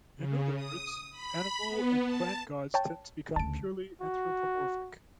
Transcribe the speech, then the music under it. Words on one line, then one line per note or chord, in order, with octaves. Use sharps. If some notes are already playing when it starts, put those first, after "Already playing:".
In other words, animal and plant gods tend to become purely anthropomorphic.
C#3
D#6
B5
B3
A5
C#5 G5 A5
D2 C#3 A5 D7
F#4